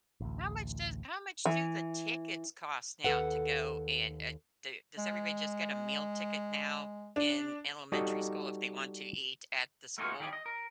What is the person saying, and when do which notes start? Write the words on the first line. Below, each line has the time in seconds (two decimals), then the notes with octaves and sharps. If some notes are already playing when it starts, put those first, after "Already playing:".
How much does how much do the tickets cost now to go in, u h, do does everybody just get a meal ticket now in elementary school if they want to eat at the school,
0.20 A1 D2
1.45 E3
3.05 D#2 C#3 A4 B4 F#5
4.98 G#3
7.16 D4
7.92 G3 D#4 F#4 A4 D5 D#5
9.98 A3 A#3 D#4 F4 F#4 G#4
10.20 D#3 G3 G4 G#4
10.33 D#5
10.46 A#4